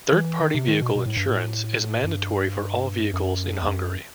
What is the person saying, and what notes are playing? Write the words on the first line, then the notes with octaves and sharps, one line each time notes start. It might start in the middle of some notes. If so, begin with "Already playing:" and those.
Third-party vehicle insurance is mandatory for all vehicles in Hungary.
E3
D#3
C3
D#3
B2
B2
A2
G2
A2
G2
F#2
E2
F#2